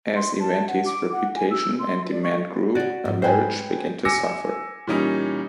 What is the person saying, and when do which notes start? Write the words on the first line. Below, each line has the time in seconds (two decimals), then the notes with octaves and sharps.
As Evanti's reputation and demand grew, her marriage began to suffer.
0.15 C6
0.39 A5
0.68 F#5
0.85 D6
1.12 F#5
1.35 G#5
1.50 E6
1.79 C6
2.11 D5
2.22 C#6
2.75 B3 C#4 F#4 D5
3.05 G#2
3.22 G#2 F#3 B4 C5 G5 G#5
4.05 G#5 D6 E6 A#6 C#7
4.87 A#2 E3 G3 C#4 D#4